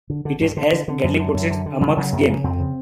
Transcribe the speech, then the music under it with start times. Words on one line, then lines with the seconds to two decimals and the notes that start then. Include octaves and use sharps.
It is, as Gadling puts it, a mug's game.
0.10 D3
0.25 D3
0.41 G2
0.57 D3
0.72 D3
0.88 D3
1.04 F#2
1.19 D3
1.34 F#2
1.50 D3
1.66 D3
1.81 C#3 F#3
1.90 G3
1.97 C#3 F#3
2.12 F#2 A#3
2.28 C#3
2.44 F2 C4
2.59 C#3